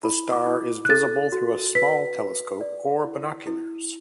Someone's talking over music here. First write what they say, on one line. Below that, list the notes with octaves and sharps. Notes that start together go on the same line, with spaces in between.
The star is visible through a small telescope or binoculars.
E4 B5
D6
E4
F#6
A4 A6
F#4
B4 B6
B4
D5
E4
E4